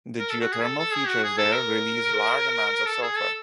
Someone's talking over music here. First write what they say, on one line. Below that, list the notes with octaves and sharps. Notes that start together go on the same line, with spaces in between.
The geothermal features there release large amounts of sulfur.
A#4
A4
F#4
G#4
A4
A4
G#4
F#4
G#4
A4
A#4
A4
G#4
A4